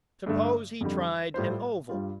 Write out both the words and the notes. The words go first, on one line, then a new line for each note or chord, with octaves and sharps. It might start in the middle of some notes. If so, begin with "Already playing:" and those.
Suppose he tried an oval.
G2 D3 A3
F2 D3 G3
A2 G3 F4 C5
G2 G3 F4